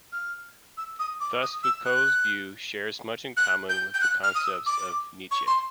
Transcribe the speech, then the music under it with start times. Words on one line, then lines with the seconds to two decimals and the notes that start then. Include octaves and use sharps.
Thus Foucault's view shares much in common with the concepts of Nietzsche.
0.12 F6
0.77 E6
0.99 D#6
1.20 D6
1.42 D#6
1.63 E6
1.85 F#6
3.37 F#6
3.69 G6
3.94 G6
4.01 F#6
4.23 F6
4.35 D#6
4.44 E6
4.66 D6
5.31 C#6
5.47 C6